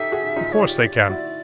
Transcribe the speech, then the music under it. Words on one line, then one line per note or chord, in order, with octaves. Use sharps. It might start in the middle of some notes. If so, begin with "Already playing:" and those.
Of course they can.
Already playing: D#4 G4 A4 E5
F#4 G#4
D#4 F4
C#5
F4 G4 D5 D#5
E4 F#4